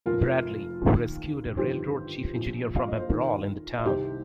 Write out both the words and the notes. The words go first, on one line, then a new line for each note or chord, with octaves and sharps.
Bradley, who rescued a railroad chief engineer from a brawl in the town.
F1 F2 F3 F4 A#4
D#2 D#3
G1 F2 D#3 G4 C5
A#1 A#2 F3
F5
D#5
C5
D#2 D#3 F4 A#4
D#5
C2 C3 D#3 G4 C5